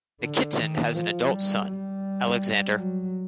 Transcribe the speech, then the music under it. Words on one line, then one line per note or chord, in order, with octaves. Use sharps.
Nikitin has an adult son, Alexander.
D3
D#3
F3
G3
G3
F#3